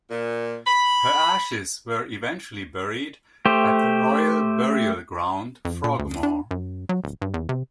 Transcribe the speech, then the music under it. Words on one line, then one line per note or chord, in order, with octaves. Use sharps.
Her ashes were eventually buried at the Royal Burial Ground, Frogmore.
A#2
B5
A3 G4 C5
F2
A#2
D2
D4
F#2
F#3
D1
G2
E2
C3